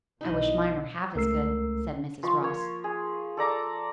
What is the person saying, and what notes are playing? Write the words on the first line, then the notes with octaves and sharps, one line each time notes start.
"I wish mine were half as good," said Mrs. Ross.
B1 B2 D#4 E4 D#5
C#2 A3 A#4 E6 C7
F3 C6 C#6
A#3 C#5
G#4
A4 D5 A#5 D6